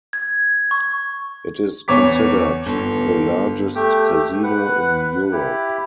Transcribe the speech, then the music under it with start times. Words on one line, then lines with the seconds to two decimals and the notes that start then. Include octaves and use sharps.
It is considered the largest casino in Europe.
0.13 G#6
0.71 C#6
1.88 E2 C#5 D6 B6
2.66 G1
3.75 A3 G4
4.43 B4 F#5
5.31 E4 G4